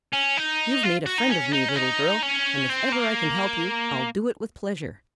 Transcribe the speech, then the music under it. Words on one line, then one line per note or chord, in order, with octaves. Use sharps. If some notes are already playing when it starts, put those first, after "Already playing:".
"You've made a friend of me, little girl, and if ever I can help you I'll do it with pleasure."
C#4
D#4
F4
F#4
D#4
C#4
D#4
C#4
D#4
C#4
C4
A#3